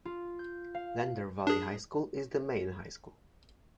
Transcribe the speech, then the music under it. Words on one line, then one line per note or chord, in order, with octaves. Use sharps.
Lander Valley High School is the main high school.
F4
G6
F5
D4 G#4